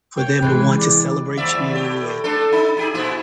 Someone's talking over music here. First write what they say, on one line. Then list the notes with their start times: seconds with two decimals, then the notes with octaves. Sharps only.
for them to want to celebrate you, and
0.17 A#3 C#5 G5
0.42 C3 E3 G#3 B4
0.79 D5
1.37 D#2 D5 E5
1.75 A2 G4
2.24 A3 D4 A4
2.52 D#4
2.77 D#4 G4 G#4
2.94 A#2 E4